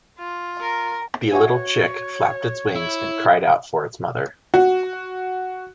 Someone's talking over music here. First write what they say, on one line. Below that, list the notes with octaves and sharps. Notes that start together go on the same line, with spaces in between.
The little chick flapped its wings and cried out for its mother.
F4
A#4
F#4 C#5 E5 G#5
E4
F#4